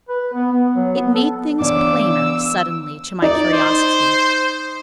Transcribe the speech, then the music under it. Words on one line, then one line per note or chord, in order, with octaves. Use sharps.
It made things plainer, suddenly, to my curiosity.
B4
B3
B3
F#3
B3
A4
C#3 E3 B3 D4 D5 D6 E6
E6
D#4 D5
C5